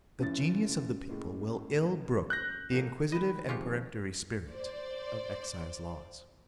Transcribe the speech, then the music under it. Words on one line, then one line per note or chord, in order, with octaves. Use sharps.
The genius of the people will ill brook the inquisitive and peremptory spirit of excise laws.
F1 C#4 E4 A6
A2 G#3 A#3
F#6 G6 A#6
A#1 A4 A#4
D#3 B4 D#5 G5
F2 C3 F3 G#3 F4 G4 C#6
C5 D5